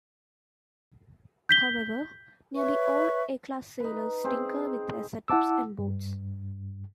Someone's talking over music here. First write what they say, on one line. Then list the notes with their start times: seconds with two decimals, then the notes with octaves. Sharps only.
However, nearly all A-Class sailors tinker with their setups and boats.
1.49 G6 B6 G7
2.55 B4 C#5 E5 C#6
3.80 D#4 B4
4.24 C4 G#4 C5
5.28 E4 F#5 A5 D6 E6
5.78 G2